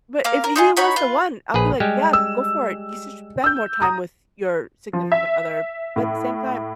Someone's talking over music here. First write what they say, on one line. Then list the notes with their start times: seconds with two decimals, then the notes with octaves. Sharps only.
But if he was the one, I'll be like, “Yeah, go for it. You should spend more time with your significant other,” but at the same time,
0.24 A#3 F5
0.44 A#4
0.56 D#4 F4 G#4
0.77 D#4 F#4 C#5 B5
0.96 F4 B4
1.54 A#1 G#4 B4
1.80 G3 G#3 G4
2.13 E6
3.44 E6 G6
3.82 A#5 D#6
4.93 F3
5.12 E5
5.96 A2